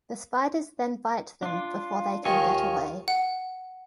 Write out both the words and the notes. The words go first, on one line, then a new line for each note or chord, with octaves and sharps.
The spiders then bite them before they can get away.
D4 F4
D#2 D#3 F4 C#5 G#5
F#5